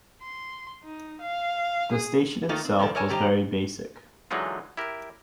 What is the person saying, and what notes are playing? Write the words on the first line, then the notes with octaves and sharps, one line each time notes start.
The station itself was very basic.
C6
D#4
F5
G#4
D#3 A3 A#3 D#4 F4 A4
C4
C3 D#3 F3 A4
A4 A#4 C#5 D5 G#5 A5
D#3 G3 G4 C5 D#5 A#5
D3 E3 F#3 G#3 D#4 F4
E4 G4 A#4